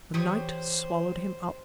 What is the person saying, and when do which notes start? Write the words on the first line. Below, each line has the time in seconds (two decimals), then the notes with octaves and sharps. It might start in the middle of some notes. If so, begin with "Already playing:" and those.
The night swallowed him up.
0.14 E3 G4 C5 C#5 D#6